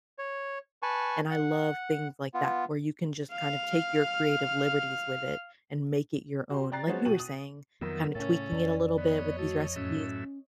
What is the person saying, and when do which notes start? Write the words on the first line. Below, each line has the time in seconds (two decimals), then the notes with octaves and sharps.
and I love things like that where you can just kind of take your creative liberties with it and make it your own, like you were saying, kinda tweaking it a little bit with these recipes,
0.19 C#5
0.83 B4 G#5 A5 C#6
1.31 F#5
2.34 B3 F4
3.32 F5 F6
6.50 F#4 G4 C6
6.72 D5 G5 A#5 F#6 A6 C7
6.87 F3 F#3 G#3 B3 C#4 C5
7.05 B2 F#4 G5 D#7 F#7
7.20 D#6
7.81 F2 D#3 F#3 B3 A#4 E5
8.15 A2 C#3 C#4 A4
8.52 F2 D5
8.98 B3 C#5 D#5
9.38 A3 F#4
9.76 F#2 A2 C#4 E5